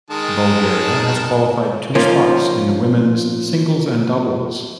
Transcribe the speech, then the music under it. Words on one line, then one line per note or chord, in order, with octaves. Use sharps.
Bulgaria has qualified two spots in the women's singles and doubles.
D#3 G#3 A5
F3 A#3 C#4 D#4 F4